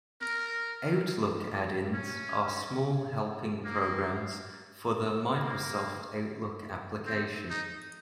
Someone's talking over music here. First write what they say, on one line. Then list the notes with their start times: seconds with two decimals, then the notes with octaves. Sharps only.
Outlook add-ins are small helping programs for the Microsoft Outlook application.
0.22 A#4
1.94 C#4
3.65 A#3
5.36 A#3
7.07 C4
7.50 D#4